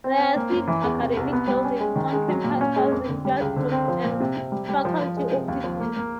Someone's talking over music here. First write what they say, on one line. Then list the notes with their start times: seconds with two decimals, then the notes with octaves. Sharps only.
There are six academic buildings on campus housing classrooms and faculty offices.
0.04 C4
0.20 C4
0.36 A#3
0.52 F#2
0.67 E3
0.84 E2
1.00 C3
1.17 C2
1.33 B3
1.48 G3
1.64 C#4
1.80 G#3
1.96 D#3
2.13 G#3
2.29 F#3
2.44 A#2
2.61 C#4
2.76 G#3
2.92 F2
3.09 D3
3.25 G3
3.41 C#2
3.56 D3
3.72 C4
3.88 F3
4.04 A#2
4.20 C3
4.37 C3
4.52 G3
4.69 G3
4.85 F3
5.01 F3
5.17 G#3
5.32 C3
5.48 D#2
5.64 F3
5.80 A#3
5.97 A#3